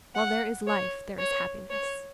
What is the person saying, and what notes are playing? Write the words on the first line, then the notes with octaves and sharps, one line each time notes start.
While there is life there is happiness.
F#5
C#5
C#5
C#5